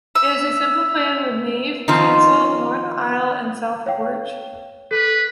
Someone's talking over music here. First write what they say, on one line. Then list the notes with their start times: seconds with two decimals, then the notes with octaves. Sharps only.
It has a simple plan with nave, chancel, north aisle and south porch.
0.15 E5
1.88 D#3 F3 C4 D#4 F4
3.86 C#5 F5 G5
4.91 A4 B4